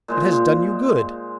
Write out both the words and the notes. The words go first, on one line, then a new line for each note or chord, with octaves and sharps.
It has done you good?
A#2 G#3 C5